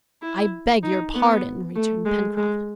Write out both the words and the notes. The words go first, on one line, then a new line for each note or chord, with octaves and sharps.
"I beg your pardon!" returned Pencroft.
E4
D#4
B3
A3
G#3
G#3